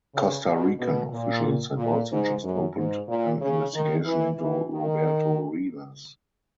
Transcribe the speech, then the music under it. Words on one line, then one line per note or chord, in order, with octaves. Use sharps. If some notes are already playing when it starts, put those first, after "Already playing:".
Costa Rican officials had also just opened an investigation into Roberto Rivas.
C#3
B2
B2
A#2
A#2
G#2
F#2
G#2
A#2
C#3
D#3
E3
E3
D#3